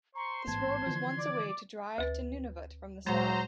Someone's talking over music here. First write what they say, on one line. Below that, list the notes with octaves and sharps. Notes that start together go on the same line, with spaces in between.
This road was once a way to drive to Nunavut from the South.
C5 A#5 C6 C#6
A1 G#2 B3 A5 G#6
D3 E3 F3
D5 D6
D2 B4 A6
A#2 F#3 G#3 C5 A#5